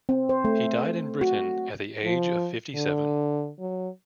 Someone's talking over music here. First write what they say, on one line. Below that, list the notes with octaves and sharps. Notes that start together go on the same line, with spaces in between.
He died in Britain at the age of fifty-seven.
C4
C5
A3
F#4
F3
D3
F#3